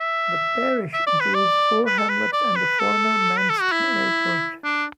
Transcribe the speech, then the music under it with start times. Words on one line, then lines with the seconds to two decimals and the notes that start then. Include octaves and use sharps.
The parish includes four hamlets and the former Manston Airport.
0.01 E5
0.93 E5
1.07 D5
1.20 B4
1.34 D5
1.87 B4
1.98 A4
2.09 B4
2.33 D5
2.56 B4
2.79 A4
3.37 B4
3.49 A4
3.61 F#4
3.72 E4
4.64 D4